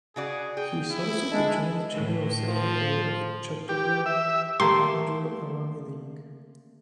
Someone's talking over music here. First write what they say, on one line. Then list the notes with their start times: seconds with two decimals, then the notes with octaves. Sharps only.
He is also the joint general secretary of Chattogram Mahanagar Awami League.
0.16 C#3 F#4 G#4 D5
0.57 G#4 G5
0.91 E4
1.32 G#3 D4
1.94 A2
2.47 F3
3.69 G4
4.06 E5
4.60 A3 A#3 G4 C6